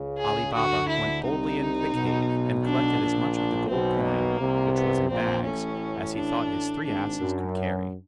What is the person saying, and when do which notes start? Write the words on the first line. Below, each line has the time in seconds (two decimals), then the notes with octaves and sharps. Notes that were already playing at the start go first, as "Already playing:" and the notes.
Ali Baba went boldly into the cave, and collected as much of the gold coin, which was in bags, as he thought his three asses could carry.
Already playing: C#2 C#3
0.18 G#4
0.54 D2 D3 F#4
0.89 E4
1.23 C2 C3 D#4
1.93 B1 B2
2.64 D4
2.99 A#1 A#2
3.34 D4
3.69 B1 B2 C4
4.04 A#3
4.39 C2 C3
4.74 B3
5.09 A#1 A#2 C4
5.44 A1 A2 C#4
6.15 D4
6.85 G#1 G#2 D4
7.20 F#2